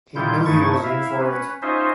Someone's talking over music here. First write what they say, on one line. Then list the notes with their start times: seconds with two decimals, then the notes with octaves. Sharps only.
He knew he was in for it.
0.16 A#2 D#3 G3 E4 F4 G6
0.46 G2 A3 D#4 E4 C#6 A6
0.84 E4 E5 F5
1.20 C#4 B4
1.62 C#4 D#4 F4 C5 D#5 E5